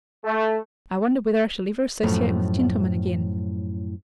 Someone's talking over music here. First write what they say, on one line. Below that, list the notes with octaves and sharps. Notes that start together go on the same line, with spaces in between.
I wonder whether I shall ever associate with gentlemen again?
A3
F#2 A2 F3 A3 A#5